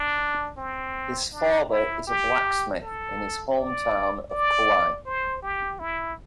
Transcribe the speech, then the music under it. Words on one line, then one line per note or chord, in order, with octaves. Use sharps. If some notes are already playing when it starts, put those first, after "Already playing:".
His father is a blacksmith in his hometown of Kulai.
Already playing: D4
C4
D4
E4
G4
A4
D5
D5
C5
G4
E4